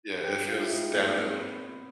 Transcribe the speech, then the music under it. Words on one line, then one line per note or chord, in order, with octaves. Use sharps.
Yeah, it feels downhill,
G2 G4
F4
E4
G#2 D#4
A#3
C4
B3
B3